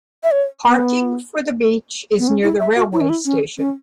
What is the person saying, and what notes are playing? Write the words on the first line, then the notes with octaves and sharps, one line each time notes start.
Parking for the beach is near the railway station.
E5
C#5
B3
B3
C#4
E4
E5
F#4
E4
C#4
E4
C#4
C#4